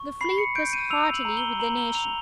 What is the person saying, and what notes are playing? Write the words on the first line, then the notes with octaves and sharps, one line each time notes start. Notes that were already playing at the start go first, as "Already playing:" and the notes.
The fleet was heartily with the nation.
Already playing: C#6
B5 C7
C#7
G6 D7
D#7
E6 F7
F#7
A#5
G7
A#5 F#7
G7
A#5 F7